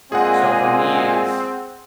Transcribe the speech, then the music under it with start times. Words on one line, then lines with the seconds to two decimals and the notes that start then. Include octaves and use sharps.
So for me, it's
0.12 A#2 G#3 C4 G#4 F#5 G#5